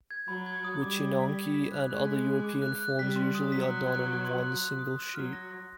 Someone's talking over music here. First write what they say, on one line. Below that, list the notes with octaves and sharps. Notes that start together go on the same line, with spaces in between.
Wycinanki and other European forms usually are done on one single sheet.
G#6
F#3 B5
G#6
D#6
G3 D6
D6
B6
B6
B6
F#6
G#3 F#6
B6
F#6
D6
F#6
F#6
G3 B6
C6
D#6
F#3 B6
F#6
F#6
F#6
C6
F#6
F#6
D#6
F#6
F#3 F6
A#6
A#6